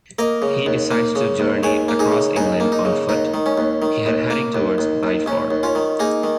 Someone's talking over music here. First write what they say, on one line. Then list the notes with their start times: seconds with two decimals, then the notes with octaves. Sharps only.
He decides to journey across England on foot, heading towards Bideford.
0.19 A#3 A#4 D#5
0.42 C#3
0.66 D#2
0.91 A#3
1.15 C#3
1.40 D#2
1.63 D#2 G#4 C#5
1.88 A#3
1.99 D#4 G#4
2.12 C#3
2.36 D#2 D#4 G#4
2.60 A#3
2.72 D#4
2.85 C#3
3.09 D#2 D#4
3.34 D#3
3.46 C#4
3.58 D#2
3.82 D#3
4.06 D#2
4.30 A#3
4.55 D#2
4.78 D#2
5.03 D#2
5.26 D#2 C#4
5.51 D#2
5.63 C#4 F4
5.75 D#3
5.99 A#3 D#4 G#4
6.23 D#3